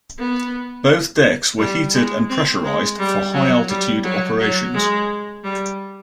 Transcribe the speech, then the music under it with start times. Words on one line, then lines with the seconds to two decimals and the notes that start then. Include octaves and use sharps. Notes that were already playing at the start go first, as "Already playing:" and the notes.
Both decks were heated and pressurized for high altitude operations.
0.19 B3
1.58 G3
1.94 G#3
2.29 C4
2.64 G#3
2.99 G3
3.34 F#3
3.69 G3
4.04 F#3
4.40 F#3
4.74 G#3
5.44 G3